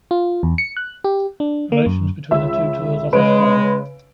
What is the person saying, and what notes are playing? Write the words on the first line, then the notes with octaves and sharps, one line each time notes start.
Relations between the two tours are hostile.
F4
E2
C#7
F#6
G4
D4
A#3
F#2
C#2 E5 E6
C#3 G#3 B4 D7